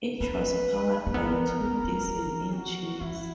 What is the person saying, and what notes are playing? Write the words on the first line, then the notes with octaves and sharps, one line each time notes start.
Each was powered by two diesel engines.
C#4 B4
A#3
B3 A#4
C#4
B3
B3
F#4
C#4 E4